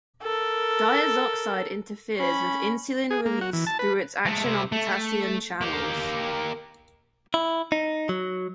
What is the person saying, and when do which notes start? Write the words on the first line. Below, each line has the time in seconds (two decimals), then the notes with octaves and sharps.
Diazoxide interferes with insulin release through its action on potassium channels.
0.22 A4 A#4
2.17 C#4 B5
3.11 G#4
3.26 A#3
3.41 F#4
3.53 E3
3.67 A5
3.79 B4
4.26 G#3 A3
4.44 C3 E4
4.72 A3
5.61 A#3 G4
7.34 E4
7.72 D#4
8.09 F#3